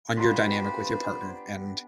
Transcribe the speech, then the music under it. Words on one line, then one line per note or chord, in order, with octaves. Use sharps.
on your dynamic with your partner. And,
B3 D4 F4 G4 B4 C5 A#5 C6